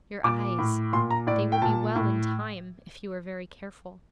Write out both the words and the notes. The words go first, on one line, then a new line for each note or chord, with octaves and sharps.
'Your eyes--they will be well in time, if you are very careful.'
A#2 D6
A2
A#2 C6
A#5
A2 D5
G5
A#2 A5
A2